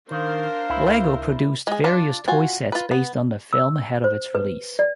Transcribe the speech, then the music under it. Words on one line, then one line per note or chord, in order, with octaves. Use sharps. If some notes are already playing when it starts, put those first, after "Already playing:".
Lego produced various toy sets based on the film ahead of its release.
D#3 D4 A#4 C5 F5
C#2 E4
G#3 G#4
D4 F4 A5
F4 F#4 G#5
F4 B4
B3
E6
C5
B4
D5